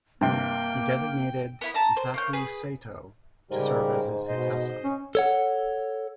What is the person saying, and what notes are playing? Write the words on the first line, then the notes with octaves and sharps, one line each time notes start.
He designated Eisaku Sato to serve as his successor.
G2 C3 A#3 G5
B3 E4 B5
A5 A#5
C5
A#3 C#5 G6
G#4 B4
G#2 C#3 G3 G4 A#4
B2 C5 D#5
C#4
A4 C#5 F#5